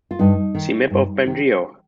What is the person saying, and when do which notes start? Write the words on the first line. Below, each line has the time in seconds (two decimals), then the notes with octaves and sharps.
See map of Bengeo.
0.11 F4
0.19 G2 D#4
0.55 D#3
0.90 G2
1.26 D#3